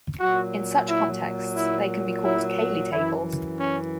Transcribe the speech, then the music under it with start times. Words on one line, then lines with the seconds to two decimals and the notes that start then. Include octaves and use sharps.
In such contexts they can be called Cayley tables.
0.20 A#2 F#3 F#4
0.89 E4
1.56 E4
2.24 E4
2.91 F#2 E3 E4
3.58 C#4